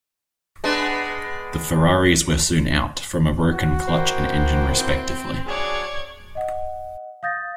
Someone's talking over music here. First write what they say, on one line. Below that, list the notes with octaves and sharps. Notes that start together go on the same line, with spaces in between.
The Ferraris were soon out, from a broken clutch and engine respectively.
G#3 B3 D4
F#4
A#3 E4 C5 G5
C4
F#3 D4 G#4 C#5 D5 G#6
D#5 F#5
F5 D#6 G6 A6 A#6